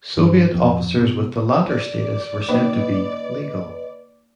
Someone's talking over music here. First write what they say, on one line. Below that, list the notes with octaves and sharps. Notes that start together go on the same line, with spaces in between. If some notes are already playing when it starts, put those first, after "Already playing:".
Soviet officers with the latter status were said to be "legal."
G2
F2
B2
D#4 F4 D5
C#3 A#3 D#4 B4 C5 D#5